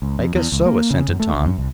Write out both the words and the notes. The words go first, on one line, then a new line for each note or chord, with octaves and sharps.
"I guess so," assented Tom.
C#2
F2
E2
C#2
A#3
C#3
F#2
A3
C#2
F#2
C2